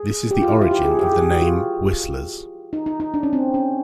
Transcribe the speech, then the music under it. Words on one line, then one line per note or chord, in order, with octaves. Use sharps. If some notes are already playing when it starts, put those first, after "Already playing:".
This is the origin of the name "whistlers".
Already playing: G#4
G4
F4
E4
F4
G4
G#4
G4
G#4
G4
F#4
F4
D#4
D#4
D#4
D4
C#4
C4
C#4